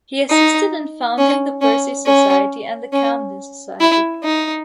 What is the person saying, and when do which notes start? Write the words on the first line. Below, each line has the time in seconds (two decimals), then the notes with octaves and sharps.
He assisted in founding the Percy Society and the Camden Society.
0.30 D#4
1.18 C#4
1.61 C#4
2.06 C#4
2.93 C#4
3.81 E4
4.24 D#4